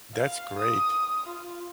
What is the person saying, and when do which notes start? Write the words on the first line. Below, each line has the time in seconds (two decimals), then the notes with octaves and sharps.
That's great.
0.15 F5
0.58 D#6
1.26 F4